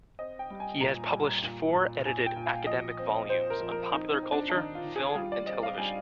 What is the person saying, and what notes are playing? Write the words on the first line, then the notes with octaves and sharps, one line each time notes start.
He has published four edited academic volumes on popular culture, film, and television.
C4 D#5
G5
G3
G#5
A#2 A#5
G3
A#2
A#2
A#2 G#5
G5
A#2
F5
F3 D#5
C4
C4 C5
A#4
F3
A#4
C4 D#4
D#4
C4
D4
D4
D#3 D#4
F4
D#3
G#4
G3 F4
D5
C4 D#5
F5
G3 G#5